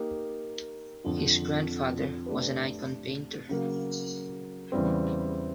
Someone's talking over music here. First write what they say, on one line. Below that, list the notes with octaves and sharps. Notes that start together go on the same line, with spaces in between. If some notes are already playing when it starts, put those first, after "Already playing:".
His grandfather was an icon painter.
Already playing: A#3 D#4 G4
F2 D3 F3
A3 D4 G4 B4
C#3 F#3 A#3
E2 C#3 E3 G3 C4